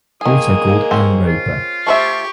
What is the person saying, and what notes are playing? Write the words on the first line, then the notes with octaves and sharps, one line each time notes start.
Also called Anne Roper.
D#3 G#3 A#3 G#4 D#6
C4 C#4
F4
A3 G4 C5 E5 C#6